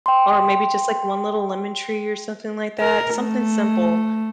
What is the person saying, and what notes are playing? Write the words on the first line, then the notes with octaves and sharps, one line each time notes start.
or maybe just, like, one little lemon tree or something like that- something simple.
G5 C6
A#4
A3